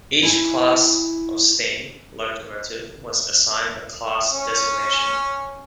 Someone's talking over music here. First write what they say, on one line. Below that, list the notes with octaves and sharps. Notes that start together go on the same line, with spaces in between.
Each class of steam locomotive was assigned a class designation.
E4 G#5
C#4